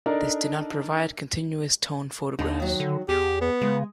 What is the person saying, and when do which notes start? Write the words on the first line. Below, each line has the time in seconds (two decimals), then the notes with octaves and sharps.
This did not provide continuous-tone photographs.
0.06 D4 D#4 A4 A#4 D5 D#5
2.39 D#2 D3 D#4
2.60 D#3 F#3
2.80 D3
3.09 E2 G4 G#4
3.41 B3
3.61 C#3 G#3